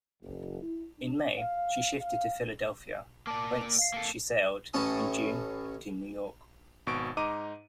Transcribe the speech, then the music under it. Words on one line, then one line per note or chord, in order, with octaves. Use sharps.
In May, she shifted to Philadelphia, whence she sailed, in June, to New York.
F#1
E4
D4
F5
F5
A#3 D5 A5 D6
F5 C7
A#3 A4
A1 A2 C#4 A5 D#6
G#1 B2 C#6 D7
G#2 D#4 D#5 A#5 D6 D#7